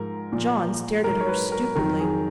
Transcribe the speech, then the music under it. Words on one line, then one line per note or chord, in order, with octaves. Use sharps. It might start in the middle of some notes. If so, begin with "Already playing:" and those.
John stared at her stupidly.
Already playing: G#2 F3 A#4
A#2 F3
G#2 F#3 A#4
C#5
B4
A#4
F2 D#3 F#3 A#4
G#4